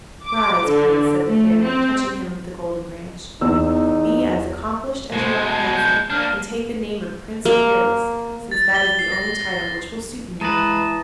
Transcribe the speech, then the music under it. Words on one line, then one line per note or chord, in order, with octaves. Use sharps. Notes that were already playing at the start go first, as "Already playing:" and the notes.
'Rise, Prince,' said the Fairy, touching him with the Golden Branch. 'Be as accomplished as you are handsome, and take the name of Prince Peerless, since that is the only title which will suit you now.'
D6
D3
A3
C4
E2 D#4 E6
B2 G#3 C5
A5
G6
A#3 D4 F6
A#3
A6
G7
C7
A#6
E3 G#3 B4 A5 A#5 D#6 A#6